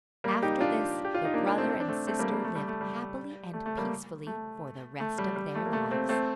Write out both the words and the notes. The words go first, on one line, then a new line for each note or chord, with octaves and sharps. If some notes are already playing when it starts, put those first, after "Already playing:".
After this, the brother and sister lived happily and peacefully for the rest of their lives.
G3 A#3
D#4 G4
D4 F4
G4
F4
D#4
A#3 D4
A#3 D4
A3 C4
C4
D4
A3 C4
A3 C4
G3 A#3
G3 A#3
A3
G3
A3
G3
A3
A3
G3 A#3
A3
A3
G3
G3
A3
A#3
A3
A3 C4
A3 C4